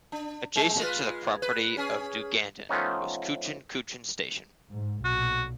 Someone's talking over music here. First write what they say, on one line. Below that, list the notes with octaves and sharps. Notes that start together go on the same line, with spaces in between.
Adjacent to the property of Dugandan was Coochin Coochin station.
D4
G#3
G#3 F4 B4
B4
C#4 G#4
F3 A3 B3 C#4 D#4
G#2
B1 A#2 F#4